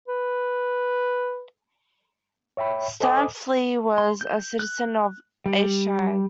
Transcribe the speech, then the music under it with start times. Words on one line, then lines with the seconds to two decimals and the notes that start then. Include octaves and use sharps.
Stampfli was a citizen of Aeschi.
0.08 B4
2.57 C#5 E5 G5 B5
3.00 A4 C5 D#5 G#5 D6 D#6
3.98 C6
4.21 G6
4.59 F#6
5.46 G3